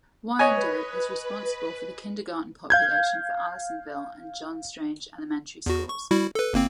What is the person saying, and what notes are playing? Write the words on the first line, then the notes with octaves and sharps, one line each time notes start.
Wyandotte is responsible for the kindergarten population for Allisonville and John Strange elementary schools.
B4 C#5 D#5 G#5
F5 G6 G#6
E2 F#4
C#6
G3 E4 F#4
A4 B4
G1 A#3 C4